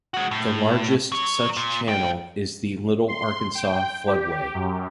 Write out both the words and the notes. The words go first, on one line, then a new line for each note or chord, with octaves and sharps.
The largest such channel is the Little Arkansas Floodway.
G#3 F#4
A2
F#3 C#5
A#2
F2 G5
C6
G5
G4
F#2